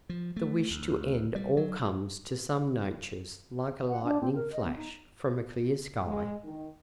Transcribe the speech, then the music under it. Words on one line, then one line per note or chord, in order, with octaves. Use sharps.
The wish to end all comes to some natures like a lightning flash from a clear sky.
F3
A3
D2
G3
F#3
F#5
D4
C4
A#4
D#5
B3
D#4
G#3
D#3